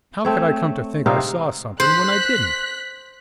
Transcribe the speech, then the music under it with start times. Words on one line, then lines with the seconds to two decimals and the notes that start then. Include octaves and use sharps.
How could I come to think I saw something when I didn't?'
0.25 A3 C4 C#5
1.06 C3 C4 D#4 F5
1.80 C5 F#6 B6